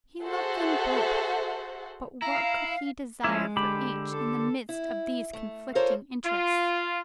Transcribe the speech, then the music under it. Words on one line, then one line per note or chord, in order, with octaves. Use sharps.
He loved them both, but what could he desire for each in the midst of these conflicting interests?
F#4 G#4 A4 C5 E5 F#5
E4 F5 A#5
F3 G#3 C#4 E4
D3 G4 B5
A4
E4
A3
F4 A4 A#4 C5 C#5
F4